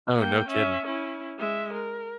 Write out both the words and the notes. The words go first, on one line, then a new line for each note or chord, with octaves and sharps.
Oh, no kidding.
A#3 G5
C#4 E5
C#4 E4
G#3 E5
A#4